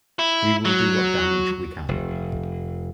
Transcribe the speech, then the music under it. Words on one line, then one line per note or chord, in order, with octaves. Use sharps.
We will do what damage we can.
E4
F#3
F1